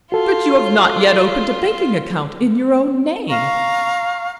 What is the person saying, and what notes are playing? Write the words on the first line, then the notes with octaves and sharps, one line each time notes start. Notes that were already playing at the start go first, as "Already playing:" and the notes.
"But you have not yet opened a banking-account in your own name."
F4 F#4 A4
F5 A#5 C#6